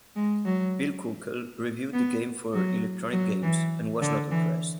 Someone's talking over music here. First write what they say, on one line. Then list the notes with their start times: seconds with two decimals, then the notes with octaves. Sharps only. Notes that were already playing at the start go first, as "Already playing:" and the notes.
Bill Kunkel reviewed the game for "Electronic Games" and was not impressed.
0.16 G#3
0.45 F#3
1.93 B3
2.54 F#3
3.13 F#3
3.42 E3
4.02 D3
4.31 E3